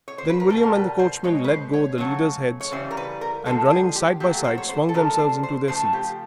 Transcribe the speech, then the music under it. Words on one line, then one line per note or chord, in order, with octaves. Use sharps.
Then William and the coachman let go the leaders' heads, and running side by side swung themselves into their seats.
C#5
C5
B4
A#4
B2 G3 A4
A#4
B4
C5
B2 G#3 C#5
B4
C5
C#5
C#3 F#3 A3 C#5
C#5
C#3 E3 G3 C5
A#4
B4
A#4
D3 F3 G#3 A4
G4
G#4
G4
A#2 F#3 A3 G4
C5
C#5
C5
A4
D3 F3 A3 A#4
C5
C5
C#3 F3 A3 C5
G4